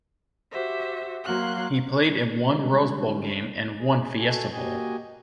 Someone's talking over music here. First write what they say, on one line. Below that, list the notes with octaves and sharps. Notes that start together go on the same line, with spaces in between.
He played in one Rose Bowl Game and one Fiesta Bowl.
F#4 G4 C5 E5
F#3 A#3 F#4 F5 C6 F#6
D3 G3 G#3 C#4
G#4
F#4 A4 G#5
A#3 F#4 G4 D#5 G#5